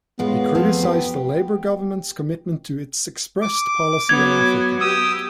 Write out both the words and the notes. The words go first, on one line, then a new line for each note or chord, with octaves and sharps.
He criticised the Labour government's commitment to its expressed policy on Africa.
A2 G#3 B3 F4
F3 A3 C4
G4
D6
F#3 B3 G#6
G4 D#6 E6